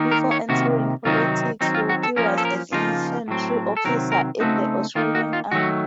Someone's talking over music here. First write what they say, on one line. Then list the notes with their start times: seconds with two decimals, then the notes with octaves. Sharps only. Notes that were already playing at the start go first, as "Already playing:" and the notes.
Before entering politics Wilkie was an infantry officer in the Australian Army.
Already playing: D#3 A#3 D#4
0.11 A#4
0.31 C#5
0.49 C3 D#3 A#3 F#4
1.05 C3 D#3 F#3 C4 D#4 F4
1.61 D#3 F#3 C4 D#4
1.74 F4
1.89 F#4
2.03 A4
2.16 F3 A#3 C#4 A#4
2.38 A4
2.45 A#4
2.72 C#3 F3 A#3 D#4 F4
3.28 A2 F#3 C4
3.77 A4
3.85 C3 D#3 F#3 C4 A#4
4.12 A#4
4.40 C#3 A3 C4 D#4 F#4
4.95 D#3 A#3 D#4 F4
5.15 F#4
5.33 F4
5.51 D#3 F#3 A3 F#4